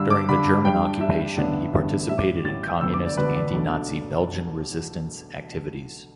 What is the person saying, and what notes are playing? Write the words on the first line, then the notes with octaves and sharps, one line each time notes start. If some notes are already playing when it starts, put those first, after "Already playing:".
During the German occupation, he participated in communist anti-Nazi Belgian resistance activities.
Already playing: G2 D3 G3 D4 E6
D6
G2 D3 G3 D4 B5
G2 G3 D4 G5
G2 G3 D4 E5
A1 G2 D3 B3 D4
A1 G2 D3 B3 D4
A1 A2 G3 E5
D6
A1 A2 G3 A6
G6
E1 D2 D3 B3 D4 E6
D6
D5
E1 D2 D3 B3 D4 B4
D5
B1 B2 A3 D4